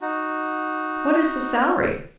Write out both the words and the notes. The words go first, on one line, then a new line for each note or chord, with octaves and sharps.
"What is his salary?"
D#4 F#4